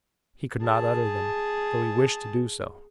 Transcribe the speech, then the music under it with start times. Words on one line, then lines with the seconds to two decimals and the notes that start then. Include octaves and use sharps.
He could not utter them, though he wished to do so.
0.63 G#4 A5